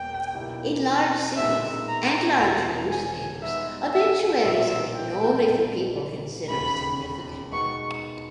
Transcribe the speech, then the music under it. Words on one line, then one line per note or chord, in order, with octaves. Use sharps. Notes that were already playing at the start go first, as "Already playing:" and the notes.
In large cities and larger newspapers, obituaries are written only for people considered significant.
Already playing: E1 E2 B2 A#3 G5
B1 B2 A#3 E4 G4
A#2 G#3 B3 D#4 E5
A#5
E1 E2 B2 A#3 A#5
G#5
G#2 G3 B3 E5
E5
B1 A#2 G3 A#3 E5
G5
A#1 G#2 G3
E1 D#2 C#3 B5
B2 G#3 B3 D#4 C#6